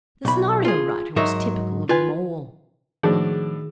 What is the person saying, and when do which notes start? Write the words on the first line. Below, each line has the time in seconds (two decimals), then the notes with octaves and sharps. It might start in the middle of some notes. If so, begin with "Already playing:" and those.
The scenario writer was typical of them all.
0.25 B1 B5
0.65 F4 G#4
1.16 G#2 F#3 D#4 A#4 E5
1.89 F4 B4 G#5
3.03 A2 D#3 F3 D4 F#4 G#4